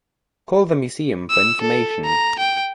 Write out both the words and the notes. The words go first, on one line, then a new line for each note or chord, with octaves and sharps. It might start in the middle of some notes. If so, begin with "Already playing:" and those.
Call the museum for information.
E6
A4
A#5
G5